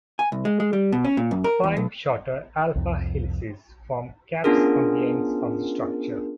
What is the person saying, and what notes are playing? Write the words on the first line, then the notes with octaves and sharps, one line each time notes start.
Five shorter alpha helices form caps on the ends of the structure.
G#5
C2
G#3
G#3
G3
B2
C#4
A#2
F#2
A#4
E2
B1
C2 F2
B3 C#4 D4 F4 G#4 A#4